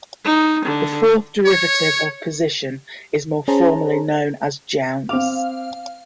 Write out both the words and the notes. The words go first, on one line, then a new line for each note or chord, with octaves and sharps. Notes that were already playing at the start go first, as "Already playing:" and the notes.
The fourth derivative of position is more formally known as jounce.
D#4
D3
C#5
C#4 G#4 C5 A5 A#5
C4 F5 D6